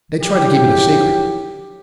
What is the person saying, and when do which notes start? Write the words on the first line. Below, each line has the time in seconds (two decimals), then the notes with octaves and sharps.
They try to keep it a secret.
0.22 F3 F#3 E4 G4